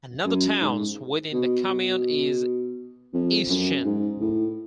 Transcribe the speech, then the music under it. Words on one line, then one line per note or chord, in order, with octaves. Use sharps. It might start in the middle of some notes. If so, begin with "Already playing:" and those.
Another towns within the commune is Eischen.
F#2
G#2
B2
B2
F2
F#2
G#2
A2